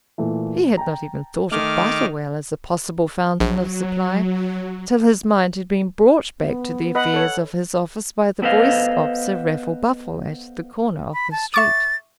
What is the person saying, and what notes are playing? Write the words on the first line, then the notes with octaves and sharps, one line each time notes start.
He had not even thought of Butterwell as a possible fountain of supply, till his mind had been brought back to the affairs of his office, by the voice of Sir Raffle Buffle at the corner of the street.
A#2 E3 A3
G5 A5 A#5
D#3 A3 D6 F6
A#1 F#3
B3
B4 D#5 F#5 B5
A4 C#5
B3 A4 B4 C5 D#5 F5
B5
A5
E5 C#6 D6 A6